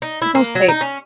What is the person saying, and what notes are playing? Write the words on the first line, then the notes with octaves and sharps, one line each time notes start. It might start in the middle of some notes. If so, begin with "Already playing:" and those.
There's no stakes.
D#4
E4
A#3
F#3
D#4
C#4